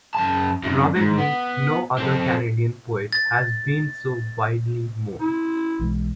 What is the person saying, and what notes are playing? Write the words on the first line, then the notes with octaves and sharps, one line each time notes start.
Probably no other Canadian poet has been so widely mourned.
F#2 A5
F#2 C3
G#2
B3
C4 A4
A6
E4
B1 E3 G#3